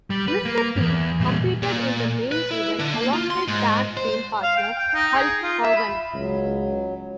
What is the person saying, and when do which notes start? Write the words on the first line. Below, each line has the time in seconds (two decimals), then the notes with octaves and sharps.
Mr. T competed in the main event alongside tag team partner, Hulk Hogan.
0.10 G3
0.28 B4
0.45 A#3
0.76 E2 G2
1.20 A#2 G3
1.63 A#2
2.32 B4
2.51 E4
2.79 D3
2.94 A#3
3.13 F4
3.30 C6
3.48 G#2
3.97 C5
4.43 F5
4.57 G5
4.78 G5
4.94 D#4
5.15 G#4
5.42 F4
5.63 E5
5.77 B5
6.15 C#2 F#3